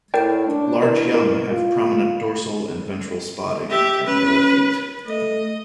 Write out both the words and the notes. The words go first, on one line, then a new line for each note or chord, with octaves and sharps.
Large young have prominent dorsal and ventral spotting and yellow feet.
A2 A#4 D5 G5
D4
E3 A#4
A#4
F4
G4 E5
C#4 B4
A3 D#5